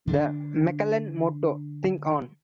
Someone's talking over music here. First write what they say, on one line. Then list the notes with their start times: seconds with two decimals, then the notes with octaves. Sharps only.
The Maclellan Motto: Think on.
0.07 D3 D4